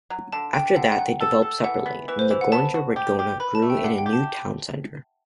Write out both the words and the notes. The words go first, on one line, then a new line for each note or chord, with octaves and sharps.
After that they developed separately, and Gornja Radgona grew into a new town centre.
F#3
D3 A5
D4 G5
D3 F#5
G5
F#5
F#3
A4
A4
E3 F#5
B3
E3 B4
C5
E3
F#5
B3 A5
F#4
G4
G4
B4 B5
A5
A3
G5
E5
D4 F#5
G5
G4
A5